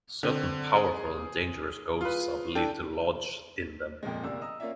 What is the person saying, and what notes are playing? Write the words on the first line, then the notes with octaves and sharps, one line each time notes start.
Certain powerful and dangerous ghosts are believed to lodge in them.
D3 C4
G#4
F4 B4
D4 A4 G5
F2 A#2 F3 G#3
G1 C2 A#3 D5 E6
D#5 A#5 D#6 E6
A#3 C#4 F4 D5 E5